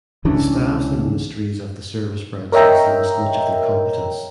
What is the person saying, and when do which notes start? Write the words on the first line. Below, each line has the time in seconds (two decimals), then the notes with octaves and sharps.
The staffs and ministries of the service branches lost much of their competence.
0.25 C#2 E3 C#4 D4
2.52 A#4 C#5 D#5 E5 G5 A#5